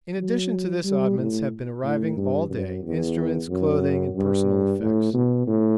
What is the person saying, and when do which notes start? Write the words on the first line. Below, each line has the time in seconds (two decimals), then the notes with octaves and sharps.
In addition to this oddments have been arriving all day--instruments, clothing, and personal effects.
0.19 F#3
0.85 G3
1.18 A2
1.84 A2
2.17 G2
2.50 F#2
2.83 E2
3.49 F#2
4.15 G2
4.81 A2
5.14 B2
5.47 A2